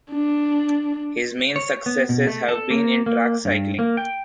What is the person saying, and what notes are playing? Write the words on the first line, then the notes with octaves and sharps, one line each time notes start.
His main successes have been in track cycling.
D4
C#5
B3
B2
A3
A4
A#3
A#3
G2
A#3
G5